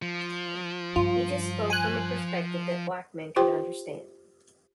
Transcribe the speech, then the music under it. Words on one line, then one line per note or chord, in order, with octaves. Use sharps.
He just spoke from a perspective that black men could understand.
F3
G2 F4
G#5 F#6
F4 G4 C5 G5 C6